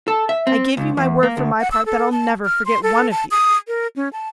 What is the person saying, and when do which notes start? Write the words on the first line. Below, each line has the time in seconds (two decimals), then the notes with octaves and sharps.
I give you my word for my part that I'll never forget one of you.
0.08 A4
0.29 E5
0.47 C4
0.77 C#2
0.97 E2
1.23 A#3
1.37 D2
1.60 F#5
1.72 E6
1.86 A4
2.12 A5
2.45 F6
2.66 C6
2.83 A4
3.11 A5
3.31 D#6
3.68 A#4
3.96 C#4
4.13 A5